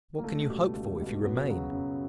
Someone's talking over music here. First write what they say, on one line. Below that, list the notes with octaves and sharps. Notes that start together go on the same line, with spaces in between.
What can you hope for if you remain?
A#3
C#2 A3
B2 G3
C#2
B2 G3
F#2 B2 B3
C#3 F#3
F#2